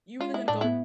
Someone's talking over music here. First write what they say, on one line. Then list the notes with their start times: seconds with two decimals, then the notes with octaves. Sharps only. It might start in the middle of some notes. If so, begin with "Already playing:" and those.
you really gonna go
0.20 G#3 F4
0.34 G#3 E4
0.48 A2 D4
0.61 B3 E4